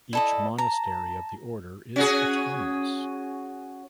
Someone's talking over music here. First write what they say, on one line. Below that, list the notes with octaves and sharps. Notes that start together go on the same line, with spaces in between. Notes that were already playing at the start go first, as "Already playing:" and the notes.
Each monastery of the order is autonomous.
E4 A4 D5 D#5
A5 A#5
C#4 F#4 G#4